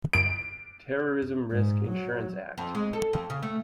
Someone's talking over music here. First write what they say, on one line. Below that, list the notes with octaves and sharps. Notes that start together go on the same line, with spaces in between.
Terrorism Risk Insurance Act.
D7
G#2
F#3
F2
G#3
A4
F2
C#3
A3